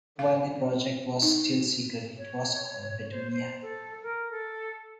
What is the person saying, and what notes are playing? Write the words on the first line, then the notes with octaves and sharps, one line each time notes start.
While the project was still secret, it was called "Petunia".
F5
D#4
C#5
C5
C5
A4
A#4
A4